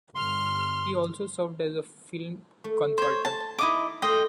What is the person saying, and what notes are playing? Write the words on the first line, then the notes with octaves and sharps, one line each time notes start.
He also served as a film consultant.
G1 C6 F6
A3
C5 C#5
A5
D#4 E4 D#5 E5 D6
A3 C5 D#5 F5 G5